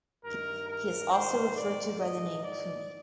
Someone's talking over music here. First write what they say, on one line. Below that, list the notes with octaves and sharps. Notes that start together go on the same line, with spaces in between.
He is also referred to by the name "Kumi".
G2 D#3 A#4
A#4
G#2 D#3 C5
D5
G#2 D#3 D#5
D5